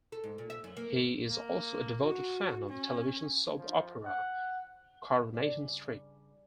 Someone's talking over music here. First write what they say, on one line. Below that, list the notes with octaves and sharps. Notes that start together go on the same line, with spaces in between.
He is also a devoted fan of the television soap opera "Coronation Street".
A4
G#2
A#2
E5
F#2
A#3
A#3
F#4
C#4
F3
F#5
G2 C#3 D5 G#5